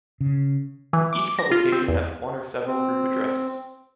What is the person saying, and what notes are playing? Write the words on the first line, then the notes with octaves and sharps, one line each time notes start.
Each publication has one or several group addresses.
C#3
E3
D6
A#6
F4
C4
E2
C4